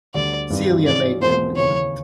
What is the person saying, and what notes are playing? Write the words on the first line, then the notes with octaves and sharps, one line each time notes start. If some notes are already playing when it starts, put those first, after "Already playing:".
Celia made no movement.
D2 D3 G3 D5
G2 D#3 G3 C4
G#2 E3 G#3 C#4 D5
E2 B2 G#3 C4 F4 C5
D#2 C#3 E3 C#5